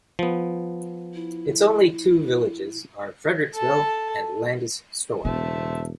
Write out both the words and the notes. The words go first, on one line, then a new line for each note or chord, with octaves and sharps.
Its only two villages are Fredericksville and Landis Store.
F3 B3
E4
A4 A5
E1 C#3 B3 C5 E5 A5